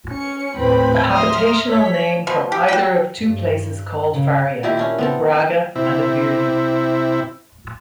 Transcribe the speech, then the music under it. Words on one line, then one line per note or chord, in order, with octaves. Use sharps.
A habitational name from either of two places called Faria, in Braga and Aveiro.
C#4 C#7
D#2 A2 C4 B4 G5 B5
E5 A#5 C6 D#6 F6
C#5 B6
B2 F3
G4
F#4 G5
G2
C#3
A#2 D#3 E4 G4
C#4 D4 E4
B3 C4 A4
C3 E4